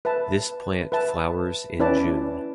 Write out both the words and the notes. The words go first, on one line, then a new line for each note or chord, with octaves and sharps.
This plant flowers in June.
B4 E5 A5
B4 E5 A5
C#4 E4 B4 D5 A5